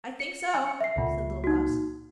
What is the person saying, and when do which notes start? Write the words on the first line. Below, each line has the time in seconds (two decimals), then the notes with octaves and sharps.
I think so,' said Little Klaus.
0.20 C#7
0.54 G#5
0.81 E5 C7
0.96 C#2 A#2
1.44 D#4 F#4